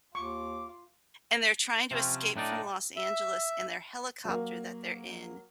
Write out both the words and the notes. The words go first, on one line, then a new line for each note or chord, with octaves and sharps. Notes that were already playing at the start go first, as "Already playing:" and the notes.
And they're trying to escape from Los Angeles, and their helicopter that they're in
D#2 F4 C#6 D6
C3 F3 C4 C#4
A2 D4 D#4 D5
E5
F#3 A#3